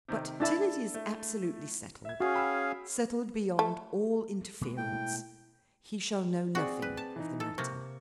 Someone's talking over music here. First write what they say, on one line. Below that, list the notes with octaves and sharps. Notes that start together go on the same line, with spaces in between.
But till it is absolutely settled--settled beyond all interference, he shall know nothing of the matter.
C3 D#3
D4 E4 A4 A5 E6 A6
A3
E5 G#6
C#4 F#4 G#4 F5
G5 B5 E6
A3
B2 G#3 A#3
A2 G5
C4 F#4 G#4 D5
B4
A5
E3 D#4
A4
C3 A#3 C#6